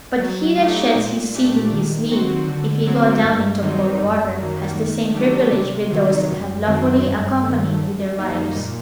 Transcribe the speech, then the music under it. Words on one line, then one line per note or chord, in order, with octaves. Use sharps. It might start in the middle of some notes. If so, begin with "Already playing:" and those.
But he that sheds his seed in his sleep, if he go down into cold water, has the same privilege with those that have lawfully accompanied with their wives.
F#3
A3 D#4 G4
A#2
A3 D4 G4
D#3
F#3 C4 F#4
D3
F#3 C4
G2
D#3 F#3 C4 D#4
F#2
D#3 F#3 A#3
D#3
F#3 A3 D4 G4
C3
D#3 F#3
F#2
D#3 F#3 C4
G2
D#3 A3
F#2
D#3 G3 A#3 D#4
A#2